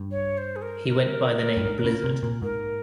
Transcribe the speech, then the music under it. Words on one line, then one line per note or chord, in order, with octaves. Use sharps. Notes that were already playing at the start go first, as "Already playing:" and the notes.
He went by the name Blizzard.
Already playing: G2
C#5
C5
G#4
A#4
A#4
G2
G#2
C#3
C3
A#2
G#2 A#4